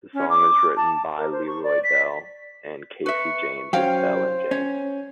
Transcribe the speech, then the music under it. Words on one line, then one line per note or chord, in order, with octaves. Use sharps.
The song was written by LeRoy Bell and Casey James of Bell and James.
C#4
D6
A5
A#4
C5
C#6
D5
B6
B4 E5 C#6
F#3 C#4 C5 F5 G5
C#4 C#5